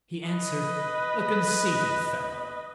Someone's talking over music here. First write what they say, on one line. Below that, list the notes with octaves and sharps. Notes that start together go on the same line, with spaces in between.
He answered, 'A conceited fellow.
B4 D#5